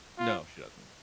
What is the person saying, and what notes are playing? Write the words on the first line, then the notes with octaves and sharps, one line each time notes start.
No, she doesn't. She
F4